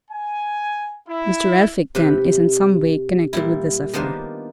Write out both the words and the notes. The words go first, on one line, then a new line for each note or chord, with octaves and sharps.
"Mr. Elphick, then, is in some way connected with this affair."
G#5
E4
C3 G4 B4 E5
A#2 G3 E4
D#3 A#3 B3 D4 F4 C5